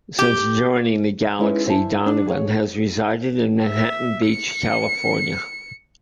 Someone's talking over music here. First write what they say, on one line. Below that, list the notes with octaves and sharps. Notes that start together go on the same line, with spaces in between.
Since joining the Galaxy Donovan has resided in Manhattan Beach, California.
G4
G#3 C#4 D#4 E4 B4
G2 E4 C5 E5 G#5 A5
D4
G#4 C#5
E5
C#7